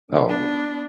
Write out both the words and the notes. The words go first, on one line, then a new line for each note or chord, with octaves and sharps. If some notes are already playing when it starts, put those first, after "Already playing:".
Oh, yeah.
B3 D4